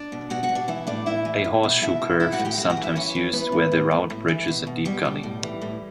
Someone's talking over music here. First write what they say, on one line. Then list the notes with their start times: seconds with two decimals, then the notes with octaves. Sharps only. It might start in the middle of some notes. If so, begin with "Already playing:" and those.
A horseshoe curve is sometimes used where the route bridges a deep gully.
Already playing: D4 D5
0.12 B2
0.30 B2 F#4 F#5
0.43 F#4 F#5
0.49 B2
0.55 D4 D5
0.68 E3 E4 E5
0.87 A2 D4 D5
1.06 A2 E4 E5
1.25 E3
1.44 B2
1.63 B2
1.82 B2 E4 E5
2.02 B2
2.20 E3 E4 E5
2.32 F#4 F#5
2.39 A2
2.45 G4 G5
2.57 A2 F#4 F#5
2.70 F#4 F#5
2.77 E3
2.83 E4 E5
2.96 E3 C#4 C#5
3.15 E3
3.33 E3 B3 B4
3.52 A2
3.72 A2
3.91 A2
4.10 A2
4.28 E3
4.48 B2
4.67 B2
4.85 B2 G3 G4
5.05 B2
5.23 A2
5.43 E3
5.62 A2